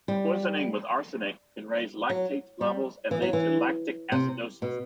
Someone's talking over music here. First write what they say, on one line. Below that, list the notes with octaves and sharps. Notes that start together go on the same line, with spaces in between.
Poisoning with arsenic can raise lactate levels and lead to lactic acidosis.
G3
F#3
G3
E3
F#3
E3
C3
B2